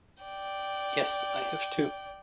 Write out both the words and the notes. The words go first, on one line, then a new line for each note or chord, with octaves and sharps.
Yes, I have two.
D5 G5